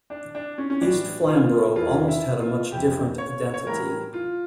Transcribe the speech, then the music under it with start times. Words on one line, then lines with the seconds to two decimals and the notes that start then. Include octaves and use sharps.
East Flamborough almost had a much different identity.
0.10 D4
0.35 D4
0.58 C#4
0.70 C#4
0.81 A2 E3 G3 D4
1.28 F4
1.76 E2 E3 G3 F4
2.08 E4
2.40 F4
2.71 F2 E3 G3 G4
3.18 C#5
3.54 C#5
3.66 A2 E3 G3 A#4
4.14 F4